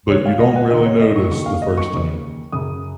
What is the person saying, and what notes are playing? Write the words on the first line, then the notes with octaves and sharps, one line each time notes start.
but you don't really notice the first time.
D#2 C#3 C#5
F5
D#5
F#5
D#2 C#3 D#5
C#5
D#5
C#6
D#2 C#3 C#6
F5
D#5
C#6
D#2 C#3
F#2 C#3 D#6